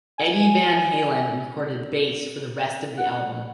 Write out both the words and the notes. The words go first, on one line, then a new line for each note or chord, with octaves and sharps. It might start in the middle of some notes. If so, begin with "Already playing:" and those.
Eddie Van Halen recorded bass for the rest of the album.
G#5
F#5